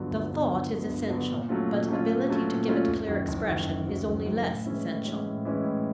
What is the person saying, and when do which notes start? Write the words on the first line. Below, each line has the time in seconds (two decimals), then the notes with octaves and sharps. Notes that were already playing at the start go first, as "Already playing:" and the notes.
The thought is essential, but ability to give it clear expression is only less essential.
Already playing: G1 G2 D3 F#3 B3
0.10 G1
0.30 G2 D3 F#3 B3
0.51 G1
0.70 G2 D3 F#3 B3
0.89 G1
1.09 G2 D3 F#3 B3
1.29 A#2
1.49 F#3 A3 C#4 F4
1.69 A#2
1.88 F#3 A3 C#4 F4
2.08 A#2
2.29 F#3 A3 C#4 F4
2.48 A#2
2.67 F#3 A3 C#4 F4
2.87 F#1
3.07 F#2 D#3 F#3
3.28 F#1
3.47 F#2 D#3 F#3
3.67 F#1
3.87 F#2 D#3 F#3
4.06 F#1
4.26 F#2 D#3 F#3
4.46 A2
4.66 E3 G#3 C#4 E4
4.86 A2
5.05 E3 G#3 C#4 E4
5.25 A2
5.45 E3 G#3 C#4 E4
5.64 A2